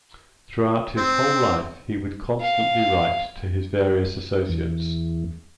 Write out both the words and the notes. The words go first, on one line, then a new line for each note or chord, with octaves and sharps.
Throughout his whole life, he would constantly write to his various associates.
C4
F5
E2